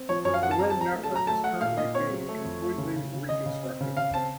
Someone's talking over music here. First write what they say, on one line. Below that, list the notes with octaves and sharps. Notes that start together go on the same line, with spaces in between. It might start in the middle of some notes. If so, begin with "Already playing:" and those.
The road network is currently being completely reconstructed.
Already playing: C4
F3 C#5
F#2 C#5
F5
F#2 F#5
A5
C4 A#5
A5
C4 A#5
A3
A5
F#3
A#5
A3 A5
A3 F#5
A#2 F5
A#2 D#5
C4 C#5
F#3
A3
F2
A3
C#3
C#3
C#3
C#3 D#5
C#3
C4
C#3
C#3 F5
C4 A5